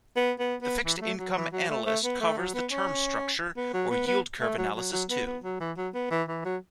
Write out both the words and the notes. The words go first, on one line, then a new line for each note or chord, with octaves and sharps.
The Fixed Income Analyst covers the term structure or yield curve analysis too.
B3
B3
B3
E3
F#3
A3
F#3
E3
F#3
A3
A3
B3
A3
F#3
B3
C#4
B3
F#3
B3
B3
A3
F#3
F#3
F#3
B3
B3
F#3
E3
F#3
B3
E3
E3
F#3